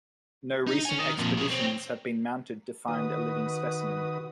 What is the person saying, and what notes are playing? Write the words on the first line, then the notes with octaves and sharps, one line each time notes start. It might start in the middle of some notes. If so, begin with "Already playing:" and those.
No recent expeditions have been mounted to find a living specimen.
D#4
C#5 G#5
D#3
F2 A#2
B2 G#4
C4 C#4
D#3 F#4 B4 D#6